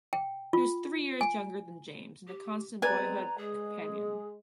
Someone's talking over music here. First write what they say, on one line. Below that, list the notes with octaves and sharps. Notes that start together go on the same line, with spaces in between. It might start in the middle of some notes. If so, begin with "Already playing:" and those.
He was three years younger than James, and a constant boyhood companion.
G5
F4
G#5
G4
G#3 B3 C4 B4 D5 G#5 A#5
G#3 G#4